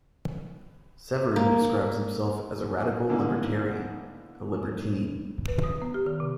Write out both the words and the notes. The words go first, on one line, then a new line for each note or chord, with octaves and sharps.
Severin describes himself as a radical libertarian, a libertine.
A#3
B2 D3 E3 A#3 D#4
B4
D#6
B3
G4
D#3
C3